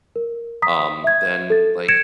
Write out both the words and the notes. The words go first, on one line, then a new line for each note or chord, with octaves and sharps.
um, then, like
A#4
A#5 D#6 B6
E5 G#6
A4 A6
G#6 A#6 C#7 D7 E7